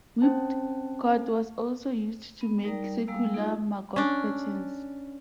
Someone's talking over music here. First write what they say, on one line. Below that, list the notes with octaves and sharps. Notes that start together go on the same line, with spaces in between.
Whipped cord was also used to make circular 'maggot' patterns.
C4 C#4 C5 G5 A5
B3
G3 D#4 A#4 D5 G5 A#5
G3 G#3 A#3 F5 A#5 E6
A#3 D#4 F4 G#4 D#5
C#4 D4